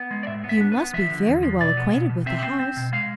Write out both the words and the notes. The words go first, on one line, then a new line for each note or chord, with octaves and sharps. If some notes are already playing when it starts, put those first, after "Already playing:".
"You must be very well acquainted with the house!"
Already playing: B3
G#3
D5
A2 E5
B3
E5
D4
B4
B3
F3 E5
D3
E2
F3
B2 D5
B3
B2
B2
C4 E5
C4
C4
B2
G#3 F5